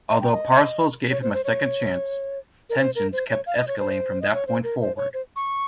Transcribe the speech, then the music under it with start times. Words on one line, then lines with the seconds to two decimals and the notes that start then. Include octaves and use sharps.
Although Parcells gave him a second chance, tensions kept escalating from that point forward.
0.10 D#5
0.21 G5
0.32 D#5
1.10 C#5
1.22 C5
1.33 C5
1.45 C#5
2.70 A#4
2.79 C5
2.95 A#4
3.13 C5
3.29 C#5
3.46 F5
3.57 D#5
3.68 C#5
3.79 C5
4.22 D#5
4.34 C#5
4.47 C5
4.64 A#4
4.81 C5
4.97 C#5
5.14 C5
5.36 C#6